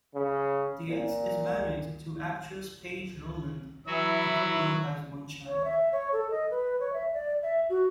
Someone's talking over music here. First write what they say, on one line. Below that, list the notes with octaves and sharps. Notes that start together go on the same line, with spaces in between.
Dietz is married to actress Paige Rowland; the couple has one child.
C#3
A#2
E3 F#3 E4 F#4 E6
C#5
E5
C#5
A4
D#5
B4
C#5
E5
D5
E5
F#4